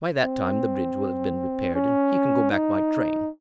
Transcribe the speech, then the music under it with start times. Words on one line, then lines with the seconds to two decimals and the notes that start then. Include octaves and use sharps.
By that time the bridge will have been repaired, and he can go back by train.
0.24 C4
1.75 C#4
2.51 D#4